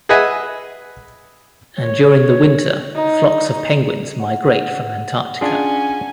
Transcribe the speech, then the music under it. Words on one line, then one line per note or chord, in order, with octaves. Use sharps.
And during the winter, flocks of penguins migrate from Antarctica.
G#4 B4 D#5 E5 F#5 G#5
C#5
D#4
F#5
C#4 D4 F4 G#4 G#5